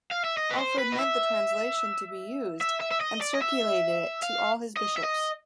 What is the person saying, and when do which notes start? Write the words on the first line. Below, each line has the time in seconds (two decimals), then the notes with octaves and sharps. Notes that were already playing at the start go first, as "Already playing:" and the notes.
Alfred meant the translation to be used, and circulated it to all his bishops.
0.11 F5
0.25 E5
0.37 D#5
0.51 B4
0.59 C5
0.78 B4
0.93 D#5
0.99 E5
2.61 E5
2.81 E5
2.92 E5
3.01 D#5
3.21 D5
3.35 D#5
3.42 E5
4.23 F5
4.77 D#5
4.96 E5
5.03 D#5